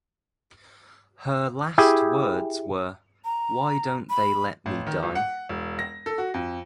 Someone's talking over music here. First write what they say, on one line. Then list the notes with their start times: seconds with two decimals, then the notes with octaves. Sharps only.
Her last words were, Why don't they let me die?
1.78 E4 G4 G#4
3.25 A#5
4.10 B5
4.66 A1
4.87 D#3
5.03 D#1
5.15 F#5
5.49 E1
5.79 A#6
6.06 A4
6.18 F#4
6.34 F2